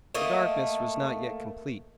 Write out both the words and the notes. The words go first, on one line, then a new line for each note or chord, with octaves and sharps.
The darkness was not yet complete.
A3 A#3 D#5